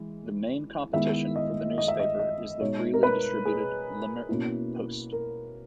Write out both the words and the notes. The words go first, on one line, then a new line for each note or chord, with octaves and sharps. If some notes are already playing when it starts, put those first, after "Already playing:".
The main competition for the newspaper is the freely distributed "Limerick Post".
Already playing: E3 G#3 E4
D#3 G#3 B3 E4 E5
D#5
D#5
E5
D#5
D#5
B2 G#3 D#4 C#5
A#4
B4
G#4
B2 A#3 C#4 E4
A#4